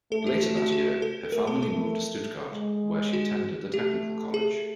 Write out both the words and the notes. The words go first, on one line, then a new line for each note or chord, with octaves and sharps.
Later that year, her family moved to Stuttgart, where she attended the Technical College.
A3 A4
G4
F#4
F#4
F#4
A4
A3 A#4
A4
A4
G#3
F#4
A3 G4
G#4